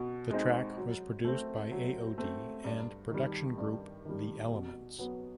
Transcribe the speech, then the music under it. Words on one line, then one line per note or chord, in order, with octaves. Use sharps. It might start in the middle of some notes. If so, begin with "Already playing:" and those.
The track was produced by AoD and production group The Elements.
Already playing: B2
G#3 C4 D#4
F#3
A3 C4
F#3
A3 C4
G2
D#3 G3
G2
D#3 G3
B2
F#3 B3